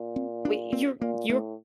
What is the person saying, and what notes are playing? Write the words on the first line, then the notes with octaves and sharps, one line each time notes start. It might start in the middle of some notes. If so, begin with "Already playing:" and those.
wait, "You're you're
Already playing: A#2
C4
D4
C4
A#2 A#3
A2 A3